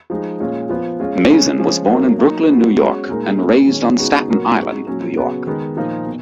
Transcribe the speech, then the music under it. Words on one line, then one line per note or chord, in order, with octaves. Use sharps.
Mazin was born in Brooklyn, New York, and raised on Staten Island, New York.
F3 G#3 D#4
A#2 G#3 C#4 F4
F3 B3 F4
G#3 C#4 F4
C#3 G#3 C#4
F3 G#3 C#4 F4
B2 F#3 A#3 D#4 A#4
F#3 A#3 D#4
F#3 B3 F#4
G#3 C#4 F#4
A#2 G#3 D#4 A#4
A#2 F#3 B3
D#3 G#3 C#4
C#3 G#3 B3 D#4 F#4
A#2 F#3 B3 F#4 A#4
G#3 D#4 F#4
A#2 F#3 C#4
C#3 F#3 B3 F#4
D#3 G#3 B3
A#2 F3 A#3 D#4 A#4
B2